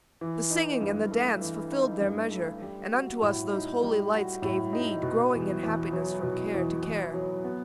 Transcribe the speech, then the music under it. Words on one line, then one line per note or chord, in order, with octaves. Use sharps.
The singing and the dance fulfilled their measure, And unto us those holy lights gave need, Growing in happiness from care to care.
E3
D#4
G2
A3
E3
D#4
G2
A3
G3
F#4
A2
D#4
G3
F#4
A2
D#4
B2
E2
E2
F#3
B2
E2
E2
F#3
B3